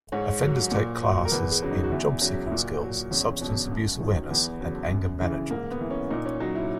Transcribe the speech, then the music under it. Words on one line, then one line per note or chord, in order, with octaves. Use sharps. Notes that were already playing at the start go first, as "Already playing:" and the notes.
Offenders take classes in job-seeking skills, substance-abuse awareness and anger management.
G#2 C#5
F#3
A#2
F#3
A#4
E2 B4
G#4
C#3 F#3
D#4
F#4
E2 E4
C#3 F#3
E4
A#2 F#4
F#3
E2 C#4
B2 F#3
F#2
D#3 F#3
E2 B3
C#3 F#3
F#2
C#3 E3
G#2 A#3
B3
E3
C#4
A#2 D#4
C#4
F#3 D#4
E4